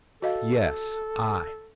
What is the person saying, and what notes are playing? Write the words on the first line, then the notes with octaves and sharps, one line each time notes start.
"Yes, I."
F#4 A4 D#5 F5